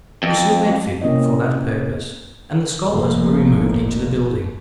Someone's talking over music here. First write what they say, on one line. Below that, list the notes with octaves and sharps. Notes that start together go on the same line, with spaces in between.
It was soon made fit for that purpose, and the scholars were removed into the building.
F2
C3 A#3 C4 C#4 E4 D#5
F1 B1 F2 F3 A3 A#3